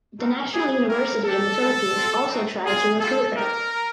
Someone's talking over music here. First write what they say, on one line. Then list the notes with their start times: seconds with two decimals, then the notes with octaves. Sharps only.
The National University in the Philippines also tried to recruit her.
0.19 A3 C4 D#4 F#4 A#4
0.54 C4 D#4 G4 G#4
0.89 G3 C4 E4 G4 A#4
1.24 A#3 D4 G4 A4
1.59 G#3 C#4 E4
1.94 C4 F4
2.31 C4 D#4 F#4
2.65 C4 F4 G#4
3.00 G3 C4 F4 A4
3.35 A#3 D#4 G4 A#4